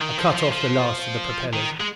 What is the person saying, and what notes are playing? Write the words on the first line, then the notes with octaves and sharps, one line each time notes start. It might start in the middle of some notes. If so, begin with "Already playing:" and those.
I cut off the last of the propellers.
D#3
F3
F3
F3
D#3
G#3